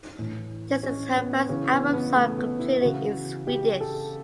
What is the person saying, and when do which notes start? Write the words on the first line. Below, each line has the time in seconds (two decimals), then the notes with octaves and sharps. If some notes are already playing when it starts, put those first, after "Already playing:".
This is her first album sung completely in Swedish.
0.19 A2 E3
0.83 C#4
1.17 B3
1.49 C#3 E3 C#4
1.72 B3
1.93 B3
2.16 A3
2.38 B3
2.59 E4
2.81 C#3 E3 F#4
3.47 G4
3.81 A4